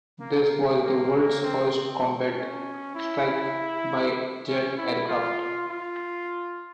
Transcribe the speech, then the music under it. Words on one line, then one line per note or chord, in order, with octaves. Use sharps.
This was the world's first combat strike by jet aircraft.
A#3
A#3
C4
C4
C#4
E4
C#4
E4
F4
F4